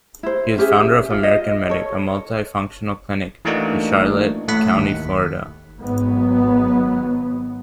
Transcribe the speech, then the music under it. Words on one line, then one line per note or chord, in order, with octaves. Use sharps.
He is founder of American-Medic, a multi-functional clinic in Charlotte County, Florida.
E4 C5
C#4 G4 G#4 E5
F4 E5
D#5
A4 C#5
E3 A3 A#3 D4 D#4 F#4
A2 A3 F#5 B5
D#2
G#1 F#3 B3